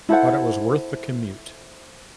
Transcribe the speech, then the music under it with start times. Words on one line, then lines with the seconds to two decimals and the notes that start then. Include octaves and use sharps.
But it was worth the commute.
0.09 E4 A4 C5 F#5